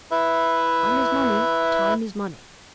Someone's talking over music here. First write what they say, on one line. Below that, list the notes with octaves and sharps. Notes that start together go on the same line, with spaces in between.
Time is money, time is money.'
E4 B4 E5